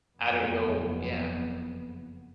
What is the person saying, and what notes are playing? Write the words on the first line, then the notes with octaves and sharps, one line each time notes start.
I don't know yeah.
F#1 F2 B3